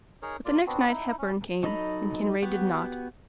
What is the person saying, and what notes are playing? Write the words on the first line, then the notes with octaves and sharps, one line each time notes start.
With the next night Hepburn came; and Kinraid did not.
D#4 G#4 A#4 C#5
A#3 F4 D5
B3 C4 D4 F#4
D#4 E4
C#4
F#3 D#4 A4 D#5 B5
B3 F#4 G4